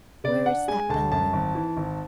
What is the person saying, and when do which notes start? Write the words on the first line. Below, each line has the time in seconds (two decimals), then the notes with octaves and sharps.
Where is that bell ringing?
0.24 C#3 D5
0.46 D4 F#5
0.68 G#3 G#5
0.89 D2 A5
1.12 F#2 A5
1.33 G#1
1.55 E3
1.77 G#1